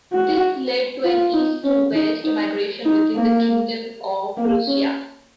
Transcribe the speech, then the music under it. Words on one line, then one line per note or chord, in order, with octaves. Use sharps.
This led to an East-to-West migration within the Kingdom of Prussia.
F#4
F4
D#4
C#4
D#4
D#4
D#4
A#3
A#3
C#4